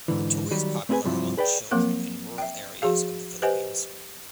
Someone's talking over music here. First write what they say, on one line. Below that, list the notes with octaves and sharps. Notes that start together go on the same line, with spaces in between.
The toy is popular among children in rural areas of the Philippines.
G#2 D3 E3
D#3 F#3 G3
A3 C4 E4 G#4 B4 G#5
G2 C3 F3 F#3 E4
G#4 B4 D5 G5
F3 F#3 A#3 C4 A#4 F#5
E5 G5
F3 F#4 G#4 F5
G4 B4 C5 D#5 F#5 G#5